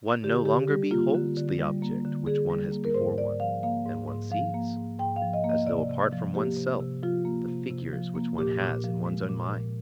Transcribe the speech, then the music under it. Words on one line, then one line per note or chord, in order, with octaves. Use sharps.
One no longer beholds the object which one has before one, and one sees, as though apart from one's self, the figures which one has in one's own mind.
D3 G4
D3 G4
G3 G4
A#3 F4
D3
D3
G3
A#3
D3
D3 G#4
G3
A#3
A#4
G#2 C5
G#2 D5
F3 F5
A#3 F5
G#2
G#2
F3 F5
A#3
G#2
G#2 G5
F5
F3
D#5
A#3
D#5
C3 D5
C3
F3
A#3 G4
C3
C3
F3 F4
A#3
C3
C3
F3
A#3
A#2 G4
A#2
F3
G#3
A#2
A#2